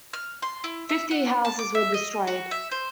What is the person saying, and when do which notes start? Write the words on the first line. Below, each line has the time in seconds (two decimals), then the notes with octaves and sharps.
Fifty houses were destroyed.
0.13 F6
0.42 C6
0.64 E4
0.89 E5
1.11 F#5
1.45 A5
1.59 D6
1.75 E5
1.94 D#5
2.27 F#4
2.51 E5
2.71 C5